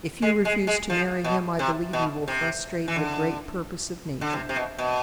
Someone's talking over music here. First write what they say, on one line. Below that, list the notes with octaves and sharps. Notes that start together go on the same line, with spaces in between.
If you refuse to marry him, I believe you will frustrate a great purpose of Nature.
G#3
G#3
G#3
F3
B2
C3
B2
C3
E3
D3
D3
C3
C3
B2
B2